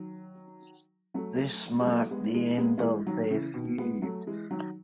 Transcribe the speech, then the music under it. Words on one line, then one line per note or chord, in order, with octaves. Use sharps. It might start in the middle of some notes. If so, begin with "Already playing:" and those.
This marked the end of their feud.
Already playing: D#3 F#3
F#3 A3
G#3
F#3 A3
G#3 B3
E3 G#3
G#3 B3
A3
E3 G#3
D#3 F#3
C#3 E3
B2 D#3
G#3 B3
F#3 A3
E3 G#3
D#3 F#3